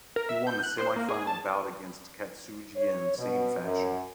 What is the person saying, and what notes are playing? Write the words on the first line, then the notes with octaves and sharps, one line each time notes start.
He won the semifinal bout against Katsuji in same fashion.
A#4
E5
G6
F#6
C5
A#3
G#4
A5
C#5
B2
F#2